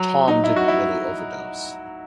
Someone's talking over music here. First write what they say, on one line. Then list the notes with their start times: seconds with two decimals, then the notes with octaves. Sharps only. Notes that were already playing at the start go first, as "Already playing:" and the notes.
Tom didn't really overdose.
Already playing: F#3
0.28 D#4
0.44 E4
0.56 F#4
0.68 E4